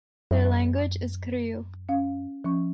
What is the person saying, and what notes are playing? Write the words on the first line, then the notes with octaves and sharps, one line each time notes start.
Their language is krio.
F#2 E5
C#4 F5
F3 C#4 C#6